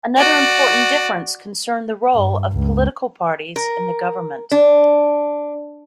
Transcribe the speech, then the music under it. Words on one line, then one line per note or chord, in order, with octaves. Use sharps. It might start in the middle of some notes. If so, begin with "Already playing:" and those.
Another important difference concerned the role of political parties in the government.
F#4 D5
G2
C#2
A#4
D4